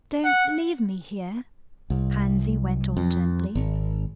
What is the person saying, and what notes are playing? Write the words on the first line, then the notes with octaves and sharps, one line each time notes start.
"Don't leave me here," Pansy went on gently.
F#5
C2
F2
G#1